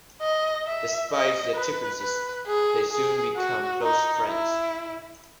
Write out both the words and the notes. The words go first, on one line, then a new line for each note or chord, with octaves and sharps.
Despite their differences, they soon become close friends.
D#5
E5
D#5
B4
B4
G#4
G#4
F#4
D#4
E4